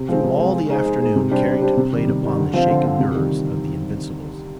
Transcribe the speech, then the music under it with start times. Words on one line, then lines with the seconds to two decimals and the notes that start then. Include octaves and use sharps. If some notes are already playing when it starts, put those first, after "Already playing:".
Through all the afternoon Carrington played upon the shaken nerves of the Invincibles.
Already playing: C3
0.09 F3 G#3 C4
0.24 C3
0.39 F3 G#3 C4
0.54 G#3
0.70 D#4 G#4 C5
0.85 G#3
1.01 D#4 G#4 C5
1.16 C3
1.31 G3 D4 G4 C5
1.46 C3
1.62 G3 D4 G4 C5
1.77 C3
1.93 D#3 G3
2.08 C3
2.23 D#3 G3
2.38 D3
2.54 F3 C4 F4
2.69 D3
2.84 F3 C4 F4
2.99 C3
3.15 D#3 G3